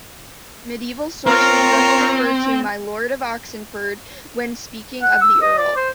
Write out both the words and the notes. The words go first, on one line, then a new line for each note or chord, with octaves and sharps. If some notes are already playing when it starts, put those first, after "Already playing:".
Medieval sources thus refer to 'my lord of Oxenford' when speaking of the earl.
C4 F4 A#4 C#5
F#5
E6
D#5
D5
C5